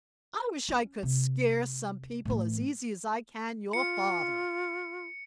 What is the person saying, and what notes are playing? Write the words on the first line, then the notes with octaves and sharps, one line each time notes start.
"I wish I could scare some people as easy as I can your father."
C#4
C3
A2 E3
F4 C#7